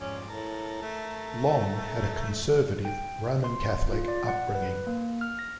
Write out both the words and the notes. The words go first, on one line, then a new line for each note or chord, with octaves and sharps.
Long had a conservative Roman Catholic upbringing.
F2 G#2 C#4 D5
A2 A#4 A5
A3
G5
C6
F4
D5
F#5
B4
A#3
F6
A#6